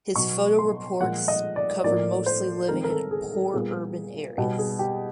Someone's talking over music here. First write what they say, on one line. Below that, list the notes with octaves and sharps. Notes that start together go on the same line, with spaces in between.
His photo reports covered mostly living in poor urban areas.
B2 F#3 B3 C#6
C6
A#2 F3 G#3 F#5
D#5
D5
A2 F3 A#3 D5
C5
D#3 G#3 C4 A#4
A#4
A4
G#4
A4
A#2 G3 B3 G#4
B2 G3 B3 G4
G#4
G4